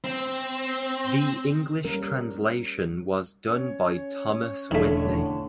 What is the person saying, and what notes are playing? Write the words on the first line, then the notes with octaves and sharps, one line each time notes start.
The English translation was done by Thomas Whitney.
C4
G3 C#4 A#4
C#4 C#5
E1 A2 D3 D#3 A3 D4